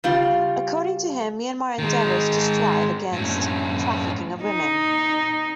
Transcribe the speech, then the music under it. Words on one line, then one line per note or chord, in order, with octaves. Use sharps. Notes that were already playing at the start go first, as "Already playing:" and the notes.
According to him, Myanmar endeavors to strive against trafficking of women.
C#3 G3 F4
D#3 G#3
F#2 A2
D#4